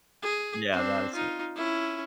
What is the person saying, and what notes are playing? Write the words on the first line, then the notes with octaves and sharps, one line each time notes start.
Yeah, that is it.
G#4
C4 D4
D#4 F4
C#4 E4